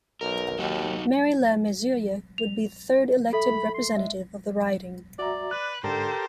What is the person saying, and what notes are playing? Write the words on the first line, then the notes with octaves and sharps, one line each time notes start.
Mary LeMessurier would be the third elected representative of the riding.
B1 A#4
D#2 F#3 D#4 F#4
F7
A4 E5 B5
C6
G#3 E5
F#4 D5 E5 A#5
B4 F#6
G#2 D3 G4 A4 A#4 C5